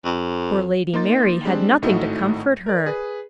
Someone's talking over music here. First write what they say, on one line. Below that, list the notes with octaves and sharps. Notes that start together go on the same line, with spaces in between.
Poor Lady Mary had nothing to comfort her.
F2
A#3 D#4 C6 A6
G3 G#3 C4 D4
G#1 A2 A3 D#4 E4 F#4
A#4 D5
G#4 B4